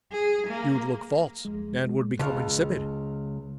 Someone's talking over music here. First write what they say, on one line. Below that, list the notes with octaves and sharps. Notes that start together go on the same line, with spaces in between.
You'd look false and would become insipid.
G#4
A#3
F2 G#3
C#2 A5 F6